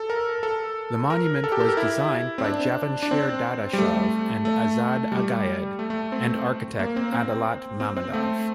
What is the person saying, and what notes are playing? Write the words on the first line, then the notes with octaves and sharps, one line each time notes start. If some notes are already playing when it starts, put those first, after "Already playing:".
The monument was designed by Javanshir Dadashov and Azad Agayed, and architect Adalat Mammadov.
Already playing: A4
A#4
A4
A#4
A4
G4
A4
A#4
E4
C4
D4
D4
C4
G3
A3
A3
G3
A3
A3
C4
A#3
C4
C4
C4
C4
A3